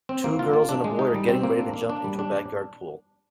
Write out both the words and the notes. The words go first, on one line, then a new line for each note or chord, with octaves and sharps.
Two girls and a boy are getting ready to jump into a backyard pool.
C4
A#3
F4
A#3
D4
G#3
D#4
G3
C4
A#3
D4
A#3
D4
G3
D4